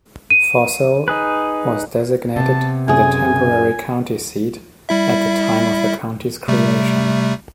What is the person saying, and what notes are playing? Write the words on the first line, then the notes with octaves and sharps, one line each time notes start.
Fossil was designated the temporary county seat at the time of the county's creation.
D#7
D#4 G#4 B4
C3 B3 A5
F#2 G#4 G#5
G3 E4 E5
C3 G3 A3